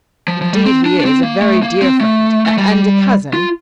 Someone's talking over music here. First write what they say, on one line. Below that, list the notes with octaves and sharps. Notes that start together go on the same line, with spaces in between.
"Indeed he is;--a very dear friend and a cousin."
F3
F3
G3
C4
D4
D4
C4
A#3
A3
A#3
C4
A3
A3
G3
F4